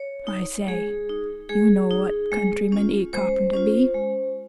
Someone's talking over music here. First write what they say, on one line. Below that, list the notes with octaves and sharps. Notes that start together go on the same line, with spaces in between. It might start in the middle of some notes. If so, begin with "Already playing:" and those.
"I say! you know what countryman 'e carpenter be?"
Already playing: C#5
D#4
G#3 G#4
D#4
G#3 G#4
D#4
G#3
C#4 F4
G#3 C5
C#4 F4
G#3